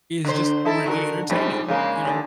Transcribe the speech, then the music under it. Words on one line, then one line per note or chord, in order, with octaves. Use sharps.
is just really entertaining. You know?
D3 C5
D#4 E4 A4
D3 F#4 A#4
F2 G#2 G3
C#3 G#3 A#3
D#2 D3